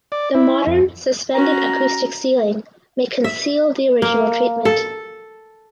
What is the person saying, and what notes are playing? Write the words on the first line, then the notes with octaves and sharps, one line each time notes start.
The modern suspended acoustic ceiling may conceal the original treatment.
D5
E4
F2
C#4 F#4 A#5
E5
A#3
A4